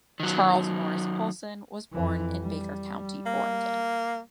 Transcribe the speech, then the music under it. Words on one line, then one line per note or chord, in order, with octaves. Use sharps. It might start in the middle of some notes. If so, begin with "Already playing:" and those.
Charles Norris Poulson was born in Baker County, Oregon.
D#3 F#3
F2 E3
G3
A#3